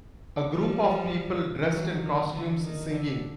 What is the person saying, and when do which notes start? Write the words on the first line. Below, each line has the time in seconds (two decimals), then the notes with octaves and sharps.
A group of people dressed in costumes singing.
0.55 F3 G3
1.72 E3 F#3
2.02 D#3
2.31 D3 E3
2.61 D#3
2.89 D3